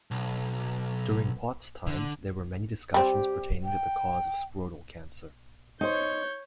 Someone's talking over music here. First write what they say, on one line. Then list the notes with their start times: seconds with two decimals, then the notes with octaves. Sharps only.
During Pott's time, there were many discussions pertaining to the cause of scrotal cancer.
0.11 B1
1.87 D3
2.94 G3 C4 G4
3.64 G5
5.81 D#4 C5 C#5 G6